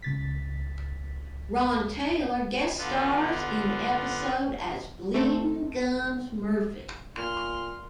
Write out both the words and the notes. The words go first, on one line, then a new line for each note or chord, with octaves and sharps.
Ron Taylor guest stars in the episode as Bleeding Gums Murphy.
C#2 A6 B6
D3 B3 F4
A3 C4 A4
A#2 C6 F6